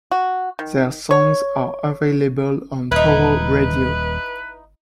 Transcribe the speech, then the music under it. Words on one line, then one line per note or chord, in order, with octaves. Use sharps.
Their songs are available on Pow Wow Radio.
F#4
D#3
C#5
D#1 D#4 E4 B4